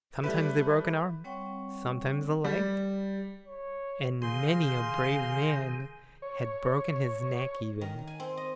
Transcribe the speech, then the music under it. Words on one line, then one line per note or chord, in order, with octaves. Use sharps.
Sometimes they broke an arm, sometimes a leg, and many a brave man had broken his neck even.
G3 A3 B4
G3 C4 C#5 F#5 G5 C#6
G3
C#5
C3 D#3 G#4 F5 C6
C#5
D#3
G#5
C4
D#5